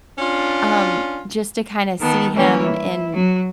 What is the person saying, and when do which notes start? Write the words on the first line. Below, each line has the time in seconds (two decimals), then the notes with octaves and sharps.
um, just to kinda see him in
0.19 C#4 D4 F4
2.01 D#3 B3 A5
2.35 E3 G3 A#3 C#4 C#5
2.64 E4
3.13 F#3 F#4